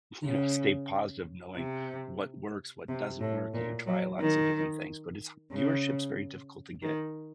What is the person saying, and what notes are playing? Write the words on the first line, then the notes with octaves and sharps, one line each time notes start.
you know, stay positive knowing what works, what doesn't work. You try a lots of different things, but it's viewership's very difficult to get.
C#3
C3
C3
A2
A#2
F#3
D#3
C#3
D#3